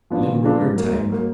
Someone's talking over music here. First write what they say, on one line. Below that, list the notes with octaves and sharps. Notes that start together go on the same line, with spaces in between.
Limburger type.
F3 B3 D4 F4
A#2
F3 B3 D4 F4
G#2
F#3 A#3
G#2
F#3 A#3